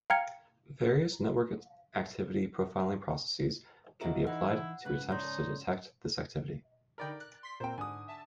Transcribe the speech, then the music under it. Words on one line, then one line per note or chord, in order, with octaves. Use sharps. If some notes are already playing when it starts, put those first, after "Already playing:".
Various network activity profiling processes can be applied to attempt to detect this activity.
F5 G5 A#5 F6 G#6 C#7
A#3 F#4 A#4 D#5 E5
E3 D#4 E4 F#5
G#2 C#3 B4
D#4 C#5 D5 C6
D3 D#4 A#4 D5 G5 B5
F#6
C6 B6
A#2 C4 A#4 C5 G5
G#2 D3 G#5 D#6
E5 A5